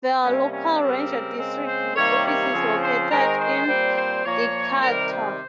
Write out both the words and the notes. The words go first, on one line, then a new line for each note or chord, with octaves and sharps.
There are local ranger district offices located in Decatur.
C3 G3 A#3 C#4
C#4
C#3 G3 C4 A#4
C#3 G#3 C4
C5
C3 D#3 G3 A#3 C#5
C#5
C#3 F3 C4
C5
D#3 G#3 C4 A#4
C5
A#2 G3 C4
C5
A#2 F3 A#3 C#5
C3 D#3 G3 C4 A#4
C5